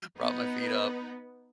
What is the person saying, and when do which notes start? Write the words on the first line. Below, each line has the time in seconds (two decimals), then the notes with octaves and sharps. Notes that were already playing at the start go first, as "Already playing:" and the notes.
prop my feet up,
0.19 B3 D#4 B4